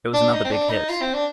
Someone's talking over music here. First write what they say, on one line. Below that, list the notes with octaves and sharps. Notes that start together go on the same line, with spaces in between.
It was another big hit.
D4
D#4
C4
D4
D#4
F4
C4
D4